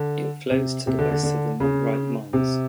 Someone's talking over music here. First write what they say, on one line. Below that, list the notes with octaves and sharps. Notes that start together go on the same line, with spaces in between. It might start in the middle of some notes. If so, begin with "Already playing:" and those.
It flows to the west of the Mont Wright mines.
Already playing: D3
C3
C3
D3
D3
D3
C#3
C3